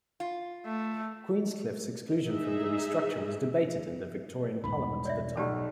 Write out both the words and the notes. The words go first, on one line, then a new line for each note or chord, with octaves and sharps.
Queenscliffe's exclusion from the restructure was debated in the Victorian Parliament at the time.
F4
A3
D#4 G#4 E5
E1 C2 G#2 B5
C#5 D5 E5
B1 G4 D5 A5